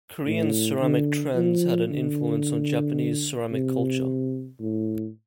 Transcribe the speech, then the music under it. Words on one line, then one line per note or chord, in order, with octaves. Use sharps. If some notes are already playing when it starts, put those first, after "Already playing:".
Korean ceramic trends had an influence on Japanese ceramic culture.
A2
D3
F3
D3
C3
A2